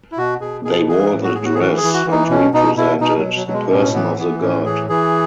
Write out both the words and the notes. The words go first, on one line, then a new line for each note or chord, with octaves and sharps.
They wore the dress and represented the person of the god.
E4
B2 F#4
B2 G#4
B2 G#4
E3 G#4
A2
F#4
A2 G#4
F#4
G#4
E3 F#4
G#4
E3
F#4
E3 D#4
B2 C#4
B2 D#4
B2 E4
B2 D#4
F#3
B2
F#3
B2 F#3
G#3
A2 C#4
E3 B3
E3 B3
A2 C#4
E3 G#4
E3 G#4